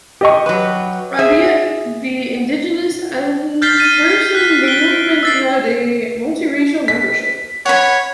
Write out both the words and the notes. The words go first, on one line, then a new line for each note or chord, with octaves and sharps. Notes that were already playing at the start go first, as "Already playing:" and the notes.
Albeit of indigenist inspiration, the movement had a multirracial membership.
G4 D#5 C#6
F#3 B4
G#4 E5
F6 G6 A6 B6 C7 G7
F6 A6 D#7
F6
F#6 B6
D7 G7
E6 A6 C7
B6
C#5 F#5 B5